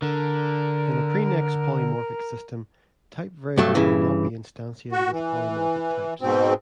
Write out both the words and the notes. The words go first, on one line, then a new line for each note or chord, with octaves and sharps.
In a "prenex polymorphic" system, type variables may not be instantiated with polymorphic types.
D3 A#4
G2 F#3 A3
G2 C#3 E3
F#4
E3
G#2 B2 C4